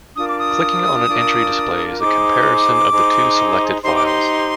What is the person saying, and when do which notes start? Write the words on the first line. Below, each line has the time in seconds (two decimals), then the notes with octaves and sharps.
Clicking on an entry displays a comparison of the two selected files.
0.16 D4 F4 A#4 D#6
0.27 D6
0.39 D#6
1.08 D4 F4 A#4
1.99 D#4 G#4 C5 D6
2.91 D#4 G#4 C5
3.83 D#4 G4 C5 C6
3.94 D6
4.07 C6